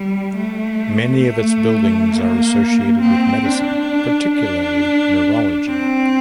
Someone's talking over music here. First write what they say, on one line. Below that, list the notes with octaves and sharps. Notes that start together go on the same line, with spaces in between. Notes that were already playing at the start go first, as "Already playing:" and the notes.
Many of its buildings are associated with medicine, particularly neurology.
Already playing: G3
A3
A3
A#3
C4
D4
D4
C4